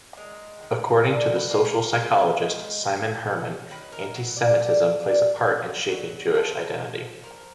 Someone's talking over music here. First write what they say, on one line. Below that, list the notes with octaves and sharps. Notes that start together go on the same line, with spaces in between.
According to the social-psychologist Simon Herman, antisemitism plays a part in shaping Jewish identity.
G#3 A#4
D#3
B2 D5
B4
A#3
A#4
G#3 B4
D#3
B2
F#3
D#3 B4
A#4
F#3 B4
D5
D4
D4 D5
B3
F#3
F3
F3
F3 A#4